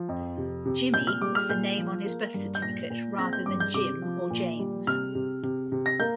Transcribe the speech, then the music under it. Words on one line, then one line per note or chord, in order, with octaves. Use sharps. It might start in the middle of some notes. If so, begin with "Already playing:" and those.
"Jimmy" is the name on his birth certificate, rather than "Jim" or "James".
Already playing: F3
F2
C3
C3
A#2 G6
F6
G3 D6
F6
A#2 G6
F3
A#3
G2
G6
A#2 A#6
A#2
C4 A#6
G6
G2 D6
G6
C3 D6
F3
A#2
G3
C3 F6
C3
C3
C3
A#6
A#3 G6